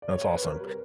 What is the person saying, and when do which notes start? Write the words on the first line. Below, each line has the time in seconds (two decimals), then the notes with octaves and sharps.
That's awesome.
0.02 D5
0.12 C#5
0.22 C5
0.33 B4
0.43 C3 A#4
0.55 B4
0.61 G3
0.66 A#4